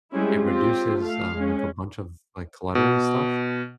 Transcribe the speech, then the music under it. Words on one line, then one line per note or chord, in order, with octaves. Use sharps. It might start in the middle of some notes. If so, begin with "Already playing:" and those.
it reduces, um, like, a bunch of like, clutter and stuff,
G3 G#3 C4 C#4 E4
C4 F4 G4
A3 F5
G#3 C#4
B2